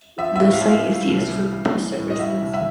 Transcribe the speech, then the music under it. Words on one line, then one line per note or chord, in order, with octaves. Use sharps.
The site is used for bus services.
F3 E5
A2 E5
F5
A2 F5
G3
C2
G3
E3
E3
A2
D#5
G3 E5
C2
E5